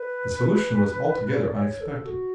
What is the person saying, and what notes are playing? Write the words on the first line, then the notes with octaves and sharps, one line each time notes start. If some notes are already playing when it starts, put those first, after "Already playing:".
The solution was altogether unexpected.
Already playing: B4
D5
C#5
D5
C#5
A4
F#4